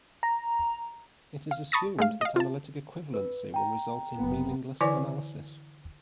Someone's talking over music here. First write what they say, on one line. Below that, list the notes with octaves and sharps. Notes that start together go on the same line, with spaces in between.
It is assumed that analytic equivalency will result in meaningless analysis.
A#5
F5
A5 B5 C#6 D#6 A6 A#6
G#3 A3 F5
D#5 F5
F4 A5
B4
G5 A#5
F#1 B3
D3 E3 E4 B4 D5 G#5